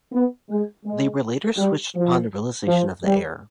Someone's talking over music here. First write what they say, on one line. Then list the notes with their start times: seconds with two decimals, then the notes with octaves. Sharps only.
They were later switched upon the realization of the error.
0.13 B3
0.50 G#3
0.86 G#3
1.58 G3
1.95 F3
2.68 F3
3.04 G3